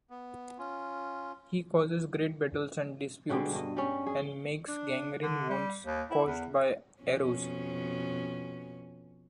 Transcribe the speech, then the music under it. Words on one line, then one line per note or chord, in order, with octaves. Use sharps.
He causes great battles and disputes, and makes gangrene wounds caused by arrows.
B3
C#4 F4
B2 D3 G3 G#3
G2 D#5
G3 C#4
G#4
D4
D3
G3
D#2
E4
E2
F2 B2 C#4